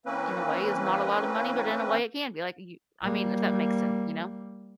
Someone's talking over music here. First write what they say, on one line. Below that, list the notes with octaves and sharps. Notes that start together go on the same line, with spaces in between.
in a way, is not a lotta money, but in a way, it can be, like, y I mean, if that makes sense, you know?
E3 A#3 C4 C#4 B4
G3 A#3